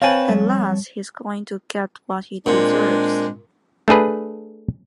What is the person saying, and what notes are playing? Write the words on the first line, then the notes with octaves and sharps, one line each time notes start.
At last he's going to get what he deserves!
C4 B4 C#5 F5 G#5 A5
F2 G3
A#2 G#3 C4 D4
A3 D4 G#4 B4